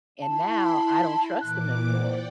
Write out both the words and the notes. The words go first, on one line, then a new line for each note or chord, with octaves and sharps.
and now I don't trust them anymore."
E4 A5 B5 C6
A#2 E3 D6 F#6
C5 D5 F#5 G5